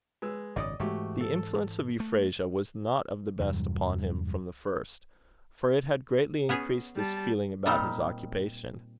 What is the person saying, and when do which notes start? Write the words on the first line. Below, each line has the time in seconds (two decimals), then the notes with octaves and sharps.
The influence of Euphrasia was not of the best upon him from the first; for it had greatly increased this feeling about his occupation.
0.22 G#3 B4 E6
0.56 G#1 F#2 C#3 D5 D#5 D#6
0.80 G#2 E3 G#3 A3 F#4 G4
1.21 A4
2.00 A3
3.40 E2 G2 C3 F#3
6.49 B3 C#4 G#4
6.96 G3 A5
7.66 A#2 G3 C4 D#4 A#4 A#5